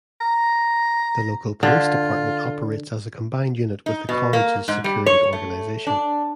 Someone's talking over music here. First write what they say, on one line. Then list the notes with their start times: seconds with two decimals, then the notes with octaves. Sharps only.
The local police department operates as a combined unit with the college's security organization.
0.21 A#5
1.63 D3 F4
3.86 D#4
4.09 B2
4.33 A#3
4.68 G#2
4.84 G3
5.06 C#5
5.33 A3
5.87 D4